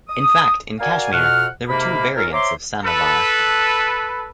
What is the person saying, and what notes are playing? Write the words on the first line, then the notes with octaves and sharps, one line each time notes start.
In fact in Kashmir, there were two variants of Samovar.
D#6
F#4 A#4 D5 F5 G#5
F2 B2 F#5 F6
G#2 C3 A#3 B5
D#3 C#4 F4 A4 A#4
C5 C#5 E5 A#5 C6 D6
A4 B4